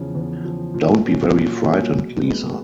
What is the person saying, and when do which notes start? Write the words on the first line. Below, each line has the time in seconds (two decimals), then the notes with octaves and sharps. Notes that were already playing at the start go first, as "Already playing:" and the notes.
Don’t be very frightened, Lisa.
Already playing: E2 C#3 F3
0.15 E2
0.45 C#3 F3
0.74 A#2
1.05 F#3 A#3 C#4
1.34 A#2
1.64 F#3 A#3 C#4
1.94 B2
2.23 G#3 B3